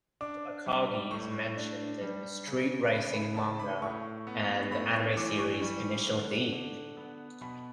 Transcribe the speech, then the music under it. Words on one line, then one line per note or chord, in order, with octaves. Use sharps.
Mount Akagi is mentioned in the street racing manga and anime series "Initial D".
D4 D6
G3
A2 C#6
D4
G3
C#3
C#3 B5
B5
C#3 A5
A5
B5
A2 C#6
B3
A2 B5
C#6
E3 D6
C#6
G3 C#6
D3
D3
B3
B2 B5